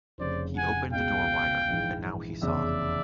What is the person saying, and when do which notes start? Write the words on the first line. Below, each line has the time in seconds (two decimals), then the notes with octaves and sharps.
He opened the door wider, and now he saw.
0.18 F1 F2 C#3 C5 D5
0.56 F#5 G#5
0.93 C#2 B2 G#3 F5 G5
1.68 A#1 G#2 E3
2.42 F1 E2 C#3 D5 E5